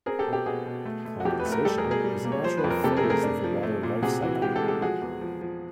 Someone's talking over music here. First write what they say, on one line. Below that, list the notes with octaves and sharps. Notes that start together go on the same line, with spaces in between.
Condensation is a natural phase of the water life cycle.
C4 G#4 A#4
G4 A4
B2
G4
B2 F#4 G#4
B2
A3
A3
F#4
F2 G4
B4
A3
A#4
G3 G4 A4
G#4 A#4
B2
G#4 A#4
G3
A#3
C#5
F3 C5
B4
F2
A#4
C3 G4 A4
G#4 A#4
A3
G#4 A#4
D4
F3
A3
A#2
C3 F#4 G#4
E3 F#4
F#4
G#3 G4
G4 A4
G#3
G4 A4
F3 F#4 G#4
E2
F3
F3